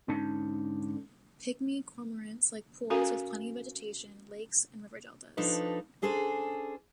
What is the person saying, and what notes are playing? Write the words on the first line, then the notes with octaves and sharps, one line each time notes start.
Pygmy cormorants like pools with plenty of vegetation, lakes and river deltas.
G#2 D3 C#4 D#4 A5
C#4 F#4 A4 A#4 F5 G#5
F3 D4 D#4 A4 B4
C#4 D4 G#4 A4 C5